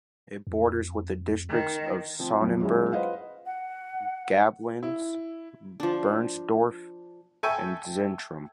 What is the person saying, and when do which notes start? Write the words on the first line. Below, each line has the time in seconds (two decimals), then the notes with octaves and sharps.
It borders with the districts of Sonnenberg, Gablenz, Bernsdorf, and Zentrum.
0.47 F2
1.49 D#3
2.19 F3 C4
2.41 B1 F2 B3
2.62 F#3 G#3 C#4 D#4 E4 G#4
2.92 F4 B4 C5 D#5 F5 F#5
3.46 F#5
4.83 E4
5.80 F3 D4
7.43 A4 E5 G5 G#5 C#6